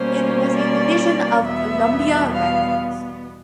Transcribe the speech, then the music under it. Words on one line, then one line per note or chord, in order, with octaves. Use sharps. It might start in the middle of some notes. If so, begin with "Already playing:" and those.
It was a division of Columbia Records.
Already playing: B2 G3 A#3 C#4 C5
D5
E2 B2 G3 B3 E5
F5